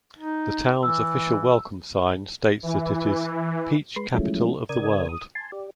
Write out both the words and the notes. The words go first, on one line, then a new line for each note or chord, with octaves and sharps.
The town's official welcome sign states that it is "Peach Capital of the World".
D#4
E3 E6
E3
G#3 B4 C6
F3 F#3 G#3 A3 C#4 E4
C#3 A#4 D5 D#6 G#6
D#6
G#5 A5 C6
G4 D5